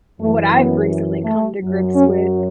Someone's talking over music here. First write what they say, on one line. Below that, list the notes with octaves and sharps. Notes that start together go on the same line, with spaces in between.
what I've recently come to grips with,
F#2 E3 A3
B3
A3
F#2 F#3
C#4